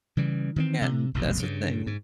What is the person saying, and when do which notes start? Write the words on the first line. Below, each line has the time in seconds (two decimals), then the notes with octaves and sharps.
Yeah, and that's the thing.
0.17 C#3 E3 G3
0.56 D#3 E3 B3 C4
0.81 C3
1.14 F1 B1 F#2
1.39 G2 C#3
1.87 G#2